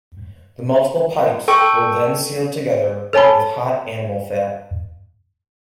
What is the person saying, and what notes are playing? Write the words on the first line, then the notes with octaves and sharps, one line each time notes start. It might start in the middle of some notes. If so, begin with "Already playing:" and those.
The multiple pipes were then sealed together with hot animal fat.
A4 G5 C#6
A4 C#5 G#5 A5 B5